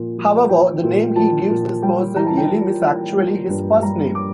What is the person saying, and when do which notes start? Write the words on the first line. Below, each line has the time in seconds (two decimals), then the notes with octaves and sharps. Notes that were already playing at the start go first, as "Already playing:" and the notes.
However, the name he gives this person, "Elim", is actually his first name.
Already playing: A#2 F3
0.17 F3
0.49 F3 G5
0.84 A#2
1.16 F3 A5
1.50 A#2
1.82 G3 G5
2.16 E3 A#5
2.26 A5
2.37 G5
2.48 E3 A5
2.82 E3
3.16 G3
3.49 G2
3.82 G3 A#5
4.15 D6